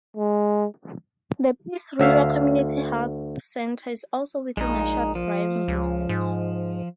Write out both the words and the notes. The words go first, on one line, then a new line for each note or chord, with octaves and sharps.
The Peace River Community Health Centre is also within a short driving distance.
G#3
D2 E5 F5
A#1 G#3 D#4
F3
C#2
G#2